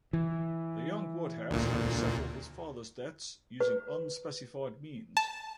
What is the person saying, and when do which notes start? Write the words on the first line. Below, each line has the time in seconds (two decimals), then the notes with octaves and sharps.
The young Woodhouse had to settle his father's debts using unspecified means.
0.13 E3
1.51 D2 A#2
3.60 B4
5.17 A5